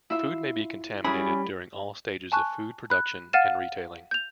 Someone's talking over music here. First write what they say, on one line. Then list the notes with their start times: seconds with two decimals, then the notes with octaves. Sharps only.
Food may be contaminated during all stages of food production and retailing.
0.10 E4 F4 E5
1.04 G3 C#4 E4 F#4 G#4 B5
2.32 G#5 A5 C#6 F#6
2.90 B5 F#6
3.33 F5 F#5 F6 A6 D#7 E7
4.11 G6 F7